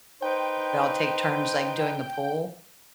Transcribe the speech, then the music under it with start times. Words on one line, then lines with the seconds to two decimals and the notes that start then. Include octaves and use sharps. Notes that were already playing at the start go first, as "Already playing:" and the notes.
we all take turns, like, doing the pool.
0.22 D#4 B4 C5 G5